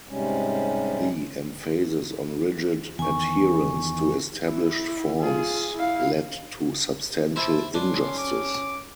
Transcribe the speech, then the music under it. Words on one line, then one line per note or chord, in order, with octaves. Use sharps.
The emphasis on rigid adherence to established forms led to substantial injustice.
G#2 C3 G3 G#3 C#4
E2 D#3 G#5 C#6
E4
F4 G#4
E4 F5
E4 C5 A5
C#4 D4 C6
D6